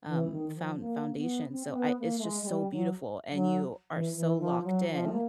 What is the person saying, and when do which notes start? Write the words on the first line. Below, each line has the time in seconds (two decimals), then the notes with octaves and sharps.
um, found foundation. So I it's just so beautiful, and you are so locked in.
0.07 E3
0.31 D#3
0.55 F3
0.79 A#3
1.15 B3
1.51 C4
1.67 C4
1.75 B3
1.99 A#3
2.19 A3
2.23 G#3
2.43 G#3
2.47 G3
2.72 F#3
3.32 F#3
3.92 E3
4.16 E3
4.40 F3
4.64 F#3
4.88 F3
5.05 A3
5.11 A#3